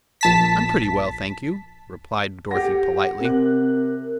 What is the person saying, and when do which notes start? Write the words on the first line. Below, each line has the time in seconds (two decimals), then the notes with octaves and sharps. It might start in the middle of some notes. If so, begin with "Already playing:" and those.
"I'm pretty well, thank you," replied Dorothy politely.
0.21 A#1 A5 B6
2.51 G4 F#5 A#6
3.20 C3 A#4 F#6